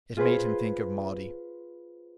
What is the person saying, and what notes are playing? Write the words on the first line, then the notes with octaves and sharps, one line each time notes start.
It made him think of Maudie.
F4 G#4 B4 C5